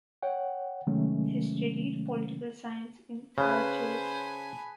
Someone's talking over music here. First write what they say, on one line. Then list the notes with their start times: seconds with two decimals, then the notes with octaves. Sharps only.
He studied political science in Algiers.
0.23 C#5 F#5 G5
0.87 C3 D#3 F#3 G#3 A3 C#4
3.38 C#3 G#4 B4 C5 G#5 A5 B5